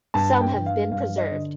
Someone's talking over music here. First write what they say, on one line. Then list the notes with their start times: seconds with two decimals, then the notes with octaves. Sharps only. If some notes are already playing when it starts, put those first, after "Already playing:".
Some have been preserved.
0.14 G2 A5
0.41 G5
0.54 G2
0.66 F5
0.92 G2 F5
1.18 D#5
1.31 D3